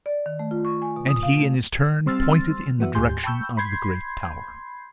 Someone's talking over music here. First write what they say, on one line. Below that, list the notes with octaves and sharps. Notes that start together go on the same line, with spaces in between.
And he in his turn pointed in the direction of the great tower.
D5
D#3
A3
F4
C#6
G#5
B2
D#6
F5
A3
G3 C4 C6 E6 F6 A6
E3 B3 F#4 E5
D2 G#2 G4 G#5 C6 G6
G5 A5 B5 C#6 E6 G6
B5 C6 G6 G#6 C7